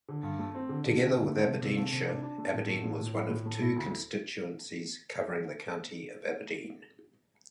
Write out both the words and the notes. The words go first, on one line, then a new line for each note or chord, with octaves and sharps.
Together with Aberdeenshire, Aberdeen was one of two constituencies covering the county of Aberdeen.
D3
G2
A3
C4
D3
D3
D3
D3
A3
C3
C3
A3
C3
D4
D4
A3
A2
A3
A2
A2
E4
A2
A3
E4
D2